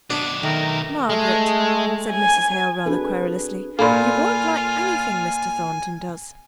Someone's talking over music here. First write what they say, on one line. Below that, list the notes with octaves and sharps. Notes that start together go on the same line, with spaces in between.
'Margaret!' said Mrs. Hale, rather querulously, 'you won't like anything Mr. Thornton does.
F#2 B2 B3 D4
D#3 A3 A#4 D6
G#3 A3
G#5
C4 D4 F#4 G#4 A4 B4
A#2 A#3 F4 A4 G#5 B5 C6